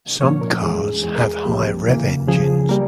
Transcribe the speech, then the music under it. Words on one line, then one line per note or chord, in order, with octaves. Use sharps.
Some cars have high rev engines.
A#2 F3 A#3 C#4 C#5
A#4
E2 E3 G#3 G#4
E2 E3 G#3 G#4
A#4
G#4
C2 C3 F3 A#3 G4
E2 C#3 E3 A#3
C#2 C#3 F3 G#4
G3 A#3 A#4